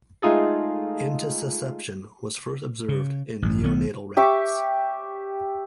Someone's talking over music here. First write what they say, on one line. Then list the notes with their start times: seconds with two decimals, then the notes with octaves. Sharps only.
Intussusception was first observed in neonatal rats.
0.22 G#3 A3 D#4 F4 G#4 A4
2.89 C#3
3.42 A1 G2
3.63 B1 D#3 B3
4.17 G4 E5 C#6 D6